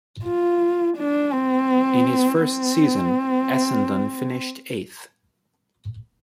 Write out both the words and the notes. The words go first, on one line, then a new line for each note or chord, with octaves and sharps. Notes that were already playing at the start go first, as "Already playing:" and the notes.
In his first season, Essendon finished eighth.
F4
D4
C4
C4